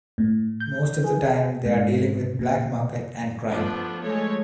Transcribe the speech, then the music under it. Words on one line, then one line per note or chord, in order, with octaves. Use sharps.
Most of the time they are dealing with black market and crime.
A2
G6
G#4
G#2
A#2
F3 A3 B3 D4
F3 G#3 A3 C#5